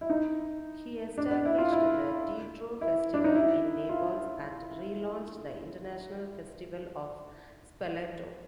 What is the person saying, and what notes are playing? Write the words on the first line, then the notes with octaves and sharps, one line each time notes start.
He established the Teatro Festival in Naples and re-launched the International Festival of Spoleto.
E4
D#4
D4
D4
E4
F4
E4
E4
D4
D#4
E4
F4